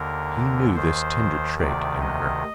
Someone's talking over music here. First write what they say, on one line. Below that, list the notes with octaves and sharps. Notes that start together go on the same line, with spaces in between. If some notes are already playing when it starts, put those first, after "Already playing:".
He knew this tender trait in her.
Already playing: D#2 D3 A#4
D#2 D#3 C5
D2 C3 D#3 D5
D#5